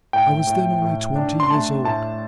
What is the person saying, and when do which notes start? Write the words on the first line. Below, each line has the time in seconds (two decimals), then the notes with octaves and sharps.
I was then only twenty years old.
0.13 A2 G5
0.47 A2
0.82 A2
1.16 D4
1.40 C6
1.50 A3 A5
1.84 A2 A5